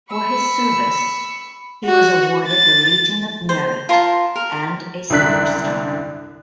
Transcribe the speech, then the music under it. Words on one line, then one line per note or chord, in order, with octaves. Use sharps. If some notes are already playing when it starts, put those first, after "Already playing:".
For his service, he was awarded the Legion of Merit and a Silver Star.
B5 C#6 E6
F#4
A6
C5
F4 A#4 A5 C6
A#4
C2 F#2 D3 D4 F#6 B6